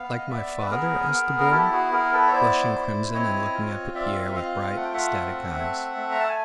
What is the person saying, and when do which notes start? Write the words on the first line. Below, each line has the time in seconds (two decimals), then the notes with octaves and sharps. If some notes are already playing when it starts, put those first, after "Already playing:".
"Like my father?" asked the boy, flushing crimson and looking up at Pierre with bright, ecstatic eyes.
Already playing: B3 F5
0.18 D#5
0.30 B3 D5 E5
0.62 B4
0.70 B3 G#4 A#4
1.11 B3
1.40 A#4
1.52 E4 G4 A4
1.72 F#4 G#4
1.92 B3 G#4 A#4
2.13 A4 B4
2.28 C#5
2.33 E4 C5 D5
2.73 E4
3.14 C4 C#5 D#5
3.55 F4
3.95 C4 D5 E5
4.14 D5
4.21 D#5
4.28 E5
4.35 F4 D#5 F5
4.76 A3 F#5
4.84 G5
4.94 E5 F#5
5.16 C4
5.57 A3
5.97 A3
6.11 A#5
6.20 A5
6.29 G#5